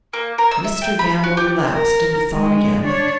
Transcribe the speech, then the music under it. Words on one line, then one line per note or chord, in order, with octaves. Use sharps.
Mr. Gamble relapsed into thought again.
A#3
A#4
E6
E5
G5
B5
F#4
G4
A#4
G#3
D4 C#5